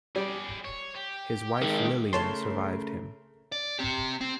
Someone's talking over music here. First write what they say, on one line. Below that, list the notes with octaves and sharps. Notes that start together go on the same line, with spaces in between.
His wife Lillian survived him.
G3 G#4 D5
C#5
G4
D#3 G#3
C#3 A3 A#4 C#5 A5 C6
D5
C4 G4
C4